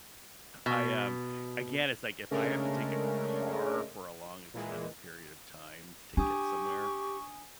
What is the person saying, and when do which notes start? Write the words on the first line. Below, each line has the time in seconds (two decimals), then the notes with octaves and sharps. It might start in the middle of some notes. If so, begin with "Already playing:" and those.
I, um Again, it's like if I have to take a car for a long, extended period of time to get somewhere,
0.66 B2
2.31 C#3 G#3 A3 C#4 D4 A#4
4.54 A#2 E3 G#3
6.17 D4 G4 G#5 C#6 D#6